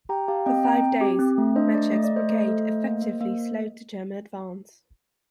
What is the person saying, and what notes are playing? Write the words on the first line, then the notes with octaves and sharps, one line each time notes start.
For five days Maczek's brigade effectively slowed the German advance.
G4 G5 A#5
G4 F5 A5
C4 D#5 G5
C4 G5 A#5
C4
G4
C4
A3
D4 C5 D#5
A3 D5
A3 D#5
D5
A3
C5 D#5
A3
A4
A3
A#3
A#3
A#3